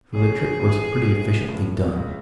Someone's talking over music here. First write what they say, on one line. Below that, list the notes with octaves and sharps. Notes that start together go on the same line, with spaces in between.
For the trick was pretty efficiently done.
A1 G#4
A2 E3
A1
A2 E3
C#2